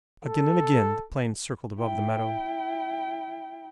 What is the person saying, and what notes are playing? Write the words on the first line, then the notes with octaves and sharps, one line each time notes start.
Again and again the plane circled above the meadow.
A4
E4 G5